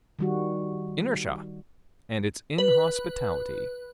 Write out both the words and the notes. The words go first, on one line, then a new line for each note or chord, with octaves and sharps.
Inertia and its inhospitality.
D#3 G3 F#4
B4